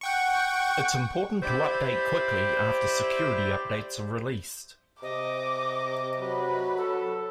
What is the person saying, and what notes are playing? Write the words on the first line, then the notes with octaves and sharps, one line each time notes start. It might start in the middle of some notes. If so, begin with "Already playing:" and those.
It's important to update quickly after security updates are released.
F#5 G5 C#6
E4 G4 C5 D5
C3 D#5 D6
F#3 B4
A4